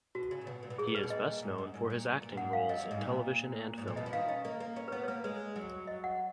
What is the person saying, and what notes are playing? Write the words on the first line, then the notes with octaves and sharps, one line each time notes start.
He is best known for his acting roles in television and film.
B2 F#4
C#3
A#2
B2
A#2
B2
A#2 G#4
B2
A#2 B4
B2
A#2 D#5
G#2
F#2
G#2
A#2
A#2
G#2 F#5
F5
F#2 D#5
F#2
G#2
A#2
G#2
A#2
B2 D#5
F3
D#3 F5
C#4 D#5
A#3
A#3
C#4
B4
B3 C#5
C#5
A#3 B4
G#3 B4
F#3
D#5
F#5